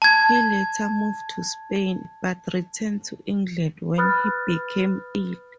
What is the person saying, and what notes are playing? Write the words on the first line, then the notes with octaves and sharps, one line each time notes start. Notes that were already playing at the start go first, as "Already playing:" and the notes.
He later moved to Spain, but returned to England when he became ill.
A5 G#6
B4 B5 D#6 F6 F#6 A6